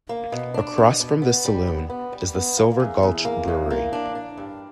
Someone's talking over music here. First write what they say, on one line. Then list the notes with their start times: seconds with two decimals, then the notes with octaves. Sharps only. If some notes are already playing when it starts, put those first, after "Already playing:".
Across from this saloon is the Silver Gulch Brewery.
0.09 A#3
0.32 B2
0.54 D4
0.78 B2
1.00 B2
1.22 B3
1.45 G3
1.67 B3
1.90 B3
2.12 G3
2.35 B3
2.58 A#3
2.80 E2
3.03 E2
3.25 A#3
3.48 E2
3.70 A#3
3.93 D4
4.15 D4
4.37 G2